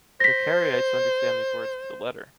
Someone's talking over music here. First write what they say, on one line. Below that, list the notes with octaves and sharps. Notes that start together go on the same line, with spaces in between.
The Karaites understand these words to the letter.
C5 A#6 B6